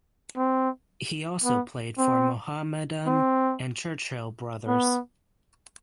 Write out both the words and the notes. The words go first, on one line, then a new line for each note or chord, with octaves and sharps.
He also played for Mohammedan and Churchill Brothers.
C4
B3
C4
C4
B3